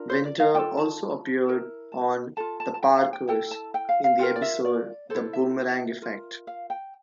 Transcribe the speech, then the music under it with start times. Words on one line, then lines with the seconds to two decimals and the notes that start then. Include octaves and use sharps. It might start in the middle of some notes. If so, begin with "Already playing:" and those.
Winter also appeared on "The Parkers" in the episode "The Boomerang Effect".
Already playing: D4 F4 A#4
0.10 C5
0.25 D5
0.40 F5
0.54 F4 A4 G5
0.77 A5
1.46 E4 A#4
1.92 A5
2.37 F4 A4 A5
2.60 A5
2.74 A5
2.83 G5
2.98 F5
3.13 G5
3.28 E4 A4 G5
3.51 A5
3.74 G5
3.89 F5
4.04 F5
4.19 F4 A#4 G5
4.36 D5
4.42 E5
4.65 D5
5.10 E4 A4 C5
5.33 E5
6.02 F4 A#4
6.47 F5
6.70 G5